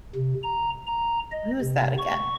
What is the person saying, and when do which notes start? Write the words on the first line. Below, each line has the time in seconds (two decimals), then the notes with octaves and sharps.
Who is that again?
0.15 C3
0.43 A#5
0.87 A#5
1.32 D#5
1.61 C3
1.98 C#6